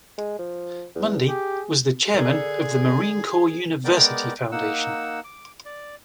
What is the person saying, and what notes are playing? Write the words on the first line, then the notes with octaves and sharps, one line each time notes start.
Mundy was the chairman of the Marine Corps University Foundation.
G#3
F3
E2
G4 G#4
D3 G#4 A#4
G#3 B3 A#4 D5 G5 D6
A#3 D#4 F#5 E6
D6
D5